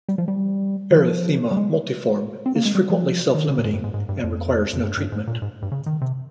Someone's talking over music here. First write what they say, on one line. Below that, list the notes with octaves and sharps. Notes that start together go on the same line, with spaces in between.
Erythema multiforme is frequently self-limiting and requires no treatment.
G3
F3
G3
D#3
F3
G3
G#3
C4
A#3
G#3
G3
F3
D#3
C#3
A#2
G#2
G2
G#2
G#2
G2
F2
F2
G2
G2
G#2
A#2
G#2
G2
C#3
D#3
C3